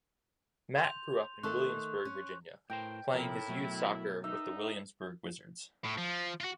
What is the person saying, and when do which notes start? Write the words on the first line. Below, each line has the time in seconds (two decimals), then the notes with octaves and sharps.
Matt grew up in Williamsburg, Virginia playing his youth soccer with the Williamsburg Wizards.
0.84 C6 G6 F7
1.43 D#3 A3 A4 C6 C#6 F#6
2.05 C#4
2.70 A2 A#4 C5 G5
3.14 A2 C3 F3 E4 A#4
3.48 B2 F#3 A3
4.24 D#4 E5
5.84 A2
5.98 F3
6.41 F4 F#4